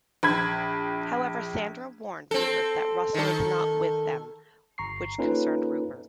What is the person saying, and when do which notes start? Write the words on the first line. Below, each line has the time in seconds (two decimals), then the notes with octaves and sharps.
However, Sandra warned Rupert that Russell is not with them which concerned Rupert.
0.23 A#1 B5 G#6
2.31 C4 A4
3.14 D#3 A4
4.78 G1 A#5 C#6 C7
5.18 A#3 C#4 D#4 F4 A4 B4